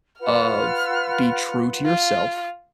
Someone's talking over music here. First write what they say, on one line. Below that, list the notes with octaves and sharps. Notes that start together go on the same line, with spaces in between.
of, "Be true to yourself
F4 B4 F#5 F6
F4